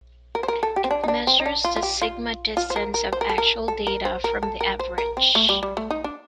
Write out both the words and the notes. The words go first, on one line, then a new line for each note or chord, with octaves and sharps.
It measures the sigma distance of actual data from the average.
A#4
C5
A#4
A4
G4
C4
D4
D#4
D4
C4
D#4
D4
F4
F4
G4
F4
F4
C5
A#4
A#4
C5
A#4
A4
A#4
A4
A#4
C5
A#4
A4
A#4
C5
A#4
C4
A3
G3
G3
A3
D#4
D4